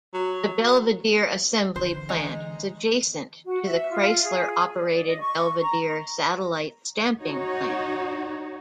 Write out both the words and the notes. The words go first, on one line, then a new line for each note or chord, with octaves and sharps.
The Belvidere Assembly Plant is adjacent to the Chrysler operated Belvidere Satellite Stamping Plant.
F#3
D3 E3 C5
G#3 D#4 A#5
F#4
E5
F4
G#4
D5
D#5
C#6
A#5
D#4 F#4 C#5